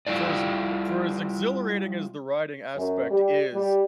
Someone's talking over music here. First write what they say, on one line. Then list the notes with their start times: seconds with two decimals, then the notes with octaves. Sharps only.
for as for as exhilarating as the riding aspect is,
0.07 G3 E4 F4 D5
2.77 F#2
3.09 G3
3.53 G3